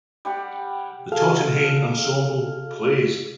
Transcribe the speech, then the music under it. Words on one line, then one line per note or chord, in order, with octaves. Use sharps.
The Tautenhayn ensemble plays!
G3 G4 F#5
F#4 G#4 A4 F5 F6